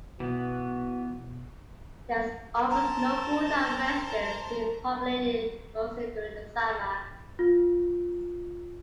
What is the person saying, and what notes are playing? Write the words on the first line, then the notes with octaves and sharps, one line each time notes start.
It has almost no full-time residents, being populated mostly during the summer.
B2 E3 B3 F#4
A#4 C5 A5 A#5
F4